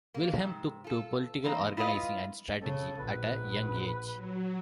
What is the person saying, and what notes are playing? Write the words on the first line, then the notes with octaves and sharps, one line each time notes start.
Wilhelm took to political organizing and strategy at a young age.
A#3
G#2 C3
F4 A4
E3 A#3 C4 D#4
E4 F4 B4 D#5 F5
C#3 A4
A#1 B4
F#3